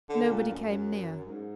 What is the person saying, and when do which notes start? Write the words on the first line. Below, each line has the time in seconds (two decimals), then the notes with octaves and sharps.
Nobody came near.
0.09 D3
0.28 A#2
0.48 F#2
0.67 F#2
1.25 G#2